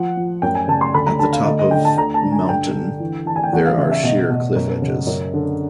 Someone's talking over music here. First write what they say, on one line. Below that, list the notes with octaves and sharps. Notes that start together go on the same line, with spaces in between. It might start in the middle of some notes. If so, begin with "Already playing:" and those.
At the top of mountain there are sheer cliff edges.
Already playing: F3 F#5
F3
F#2 G5
G#5
C#3 A5
C6
D2 B5
A#5
D3 A5
F5
D2 D#5
D#5
D3 G5
A5
D2 A#5
A5
D3
G#5
G2 G5
D3
E3
E3 A5
G#5
G5
E2 F#5
F5
C#3 E5
E5
B2 D#5
B2
F#2
C#3
F#2
D3